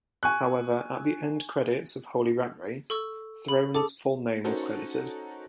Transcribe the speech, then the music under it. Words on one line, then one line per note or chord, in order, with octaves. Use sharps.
However, at the end credits of "Holy Rat Race", Throne's full name was credited.
G#5 C#6 F#6
A4 C#6 E6
B5
G#4 A4 D6
C#4 D#4 F#4 A4 A#4 C5